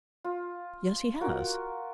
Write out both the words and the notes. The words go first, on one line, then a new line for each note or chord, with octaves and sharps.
"Yes, he has."
F4
F4 F#4 A#4